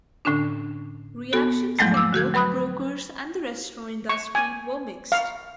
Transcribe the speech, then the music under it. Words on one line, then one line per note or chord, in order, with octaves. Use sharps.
Reactions from both brokers and the restaurant industry were mixed.
A2 D3 C#4 D4
B3 F#4 A4
E2 G#2 F3 F#3 G#3 A3
D6 E6
D3 F#4 G6 G#6
F#3 B4 B5 D#6 F#6
C#6
G#5
F5